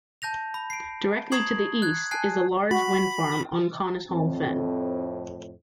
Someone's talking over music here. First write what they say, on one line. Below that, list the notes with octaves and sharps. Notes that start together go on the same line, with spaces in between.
Directly to the east is a large wind farm on Conisholme Fen.
A5 G6 A#6 F7
B5
C7 D7
A#5 C#6 D#6 G#6 C7 F#7
F#6 G#6
G#5 A5 F#6 C7
F#4 B5
F2 A2 C4